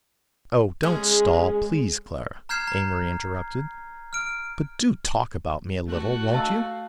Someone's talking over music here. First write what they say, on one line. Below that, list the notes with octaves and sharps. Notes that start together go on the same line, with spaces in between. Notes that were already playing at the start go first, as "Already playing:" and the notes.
"Oh, don't stall, please, Clara," Amory interrupted; "but do talk about me a little, won't you?"
G#3 C#4 G#4
A#5 F6 G6 G#6 C7 E7
A#5
F6 D7
A3 F#4
D#5 F5 A5 E6